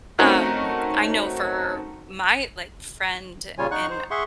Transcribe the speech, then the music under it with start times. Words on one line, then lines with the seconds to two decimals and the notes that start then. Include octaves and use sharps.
Um, I know for my, like, friend in
0.19 A3 C4 C#4 D#4 F#4 A#4
3.58 A#2 C#3 G3 F4 C#5 G#5
3.71 D#4 F#5 C#6 F#6
3.90 C5
4.11 G#4 E5 F#5 C6 C#6